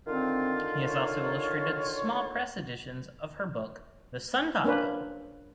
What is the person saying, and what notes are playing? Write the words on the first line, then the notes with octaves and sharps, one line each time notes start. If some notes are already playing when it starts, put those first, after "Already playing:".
He has also illustrated small press editions of her book "The Sundial".
D3 D#3 C4 F4
C#5
A#3 C#4 D4 B4 C5